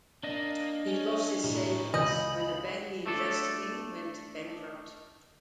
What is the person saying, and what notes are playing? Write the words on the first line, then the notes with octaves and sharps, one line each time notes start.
He lost his savings when the bank he invested in went bankrupt.
A#3 D4 D#5
C#4
A2 E4 A#4
C#2 D#5 G#5 B5 G6
A3 D4 A4